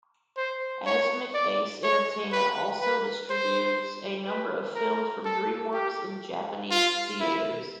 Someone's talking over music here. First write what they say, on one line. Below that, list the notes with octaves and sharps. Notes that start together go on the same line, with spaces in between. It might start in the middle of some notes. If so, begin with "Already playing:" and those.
Asmik Ace Entertainment also distributes a number of films from DreamWorks in Japanese theaters.
C5
C#5
D5
C#5
B4
B4
C5
B4
A#4
A4
G4
F4
E4